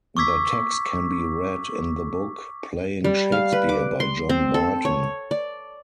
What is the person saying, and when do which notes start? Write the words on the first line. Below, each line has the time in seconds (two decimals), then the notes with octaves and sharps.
Their text can be read in the book "Playing Shakespeare" by John Barton.
0.17 C#6 D6 E6 G#6 B6
3.04 G3
3.32 F5
3.53 B4
3.69 D6
4.00 C6
4.29 C4
4.54 A4
4.85 C#5
5.31 D5